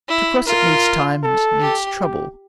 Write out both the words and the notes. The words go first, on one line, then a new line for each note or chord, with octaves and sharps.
To cross it needs time and needs trouble.
E4
F4 A#4
A4
G4
G4